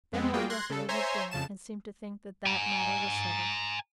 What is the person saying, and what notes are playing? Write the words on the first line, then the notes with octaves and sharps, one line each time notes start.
Then Lord Rufford ate his dinner and seemed to think that that matter was settled.
F2 G#3 B3 C4
G3 A#3 F4 F#4 G#4 G5
C6 F#6 G#6 A#6
C#3 A4
C5 C#5 E5 G#5 A#5 C6
F2 C#3 A5 E7
G#5 A#5